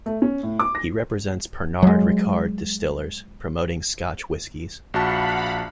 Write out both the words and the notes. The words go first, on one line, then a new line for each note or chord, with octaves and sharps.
He represents Pernod Ricard distillers, promoting Scotch whiskies.
A3
C#4
A2
D6
A#6
F#3 G#3
A#1 F#4 F5 F#5 A5 B5